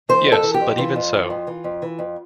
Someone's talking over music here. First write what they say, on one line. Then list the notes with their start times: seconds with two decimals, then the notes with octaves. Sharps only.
Yes, but even so.
0.09 E3 C5
0.26 F2
0.32 A4
0.43 E3
0.54 G4
0.61 F2
0.78 E3 F4
0.96 F2
1.13 E3
1.30 F2
1.47 E3
1.64 F2
1.82 E3
1.99 F2